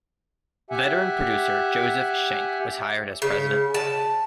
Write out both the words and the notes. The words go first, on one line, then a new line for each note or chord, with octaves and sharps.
Veteran producer Joseph Schenck was hired as president.
G4 E5 F#5 G#5
C#3
A5